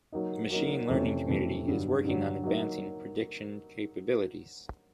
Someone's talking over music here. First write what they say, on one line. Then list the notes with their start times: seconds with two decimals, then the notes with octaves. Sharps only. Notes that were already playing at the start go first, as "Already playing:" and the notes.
The machine learning community is working on advancing prediction capabilities.
0.12 F#3 A#3 D#4
0.50 F#3 A#3 D#4
0.89 F2 C3 E3 A3 C#4
1.28 F2 C3 E3 A3 C#4
1.66 G2 D3 F#3
2.04 G2 D3 F#3
2.43 F#3 A#3 D#4